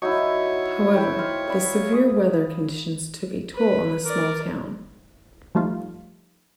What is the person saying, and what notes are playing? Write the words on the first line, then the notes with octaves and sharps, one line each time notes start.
However, the severe weather conditions took a toll on the small town.
F#3 D#4 E4 C#5
A3 E4 G5 B5
C5 F5
D5 E5 B5
G#4 D#6
B4
A#4 D5
F3 G3 A3 D#4 F4